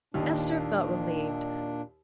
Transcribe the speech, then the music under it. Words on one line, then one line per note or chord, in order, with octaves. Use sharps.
Esther felt relieved.
D#2 A#2 D4